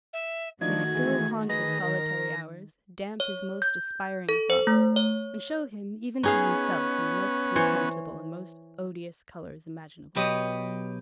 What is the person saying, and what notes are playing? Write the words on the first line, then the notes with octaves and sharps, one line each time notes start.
They still haunt his solitary hours, damp his most aspiring thoughts, and show him, even to himself, in the most contemptible and most odious colours imaginable.
E5
D#3 F3 A3 D4 D#4 F#4 G#6
E3 G#4
D#3 G#4 B4 D#5 A#6
A#4
C#5
G6
A4
C5
A3
C#5
B3 C#4 D#4 G#4 F5
E3 C5 C#5
B1 F#3 G4 B4 C#5 D#5